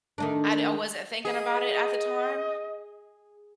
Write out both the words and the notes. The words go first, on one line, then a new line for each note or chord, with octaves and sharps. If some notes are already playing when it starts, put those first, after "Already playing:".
I'd I wasn't thinking about it at the time.
D#3 A3 D4
G#4 D#5